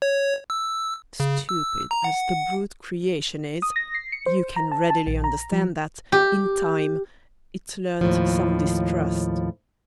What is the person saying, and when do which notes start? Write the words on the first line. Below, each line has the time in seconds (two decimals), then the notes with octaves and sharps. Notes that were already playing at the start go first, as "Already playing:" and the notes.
Stupid as the brute creation is, you can readily understand that, in time, it learnt some distrust.
0.02 C#5
0.50 E6
1.20 C#3
1.49 E6
1.91 A#5
2.04 F#5
3.62 D#6
3.76 A#6
3.94 C7
4.12 C#7
4.26 C5
4.56 A#5
4.72 A5
4.90 A5
5.07 A#1
5.24 A#5
5.52 F3
6.12 G4
8.01 D#2 A2 F3